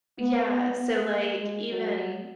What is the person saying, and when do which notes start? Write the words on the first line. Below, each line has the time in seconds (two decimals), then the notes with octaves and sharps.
Yeah, so, like, even
0.19 B3
0.49 B3
0.79 B3
1.10 A#3
1.39 G#3
1.70 F#3